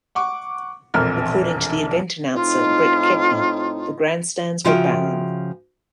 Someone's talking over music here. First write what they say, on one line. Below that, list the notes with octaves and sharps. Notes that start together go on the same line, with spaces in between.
According to the event announcer Bret Kepner, the grandstands were barren.
F#5 C#6 D6
E1 A#1 F2 A4 A#4 F6
A2 C4 D#4 F4
C#3 F3 F4 F#4 E5 G5